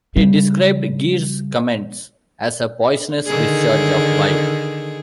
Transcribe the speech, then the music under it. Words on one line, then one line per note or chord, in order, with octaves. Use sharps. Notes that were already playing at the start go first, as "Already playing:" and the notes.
He described Greer's comments as "a poisonous discharge of bile".
C#3 G3
D3 D#3 G#4